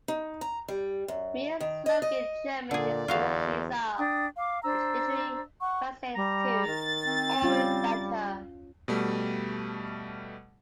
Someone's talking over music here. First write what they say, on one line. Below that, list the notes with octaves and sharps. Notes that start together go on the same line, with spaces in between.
Miele's slogan in German is "immer besser" which literally translates to "always better".
D#4
A#5
G3
F#2
D#3
D#5
D#5
A#2 D3 G#4 D5
E2 F4 F#4 F5
D4 G5 D#6
F5 D6
D4 C5 A#5 E6
F#5 C#6
G3 A#5
D#3 A6
C4
G3 C#4 F4 F5
B2 G3 A3